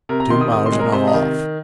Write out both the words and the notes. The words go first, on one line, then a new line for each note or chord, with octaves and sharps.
"Two miles and a half."
C3 A#4
A#5
D#3 C6
D#6
C3 D#6
C6
G#3
A#4
C3 C5
D#5
D#3